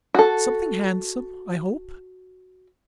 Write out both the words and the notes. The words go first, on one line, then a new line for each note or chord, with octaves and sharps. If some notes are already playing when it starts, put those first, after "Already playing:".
"Something handsome, I hope?"
F#4 A4